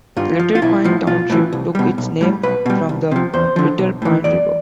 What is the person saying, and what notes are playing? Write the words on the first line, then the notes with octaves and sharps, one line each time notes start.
Little Pine Township took its name from the Little Pine River.
G2 F4
F3
F4
B1 E4
A2 F3
B1 F4
A2 E3
C2
B2 G3
B1
A2 G3
B1 B4
B2 G3
C2
C3 F3
E2 C5
D3 F3
B1
A2 E3
E2 D5